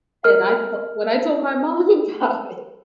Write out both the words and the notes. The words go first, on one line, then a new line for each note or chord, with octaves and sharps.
And I felt when I told my mom about it,
A#4 F6